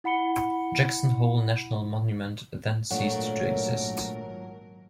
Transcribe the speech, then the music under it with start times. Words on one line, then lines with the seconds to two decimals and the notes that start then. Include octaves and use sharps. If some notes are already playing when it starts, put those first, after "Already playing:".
Jackson Hole National Monument then ceased to exist.
0.04 E4 F#5 B5 C#7 G7
2.90 G#1 A#2 F#3 A3 D4 A#4 C#5 F#5